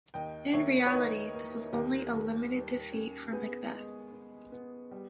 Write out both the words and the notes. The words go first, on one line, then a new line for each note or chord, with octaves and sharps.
In reality this was only a limited defeat for Macbeth.
D#2 D#5 G5
D#2 C#5 E5
B4
C#5
D#3 B4 D#5
A#3
D#2 G4 A#4
D#2
G3
C#4
B3 G#4 B4
G#3
B3
B3
G3